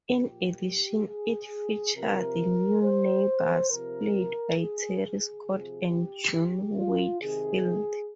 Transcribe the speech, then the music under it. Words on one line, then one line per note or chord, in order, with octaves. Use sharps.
In addition, it featured "new" neighbours played by Terry Scott and June Whitfield.
A#2 F3 G4
G#4
C3 F3 A#4
C5
C3 F3 A#4
G#4
G#4
C3 F3
G4
F4
C3 D#3 G#4